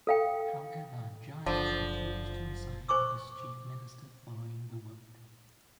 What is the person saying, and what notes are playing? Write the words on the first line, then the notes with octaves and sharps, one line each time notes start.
However, Giles refused to resign as Chief Minister following the vote.
A4 F5 G5
F#1 D3 F3
C5 G#5 C#6 D6 E6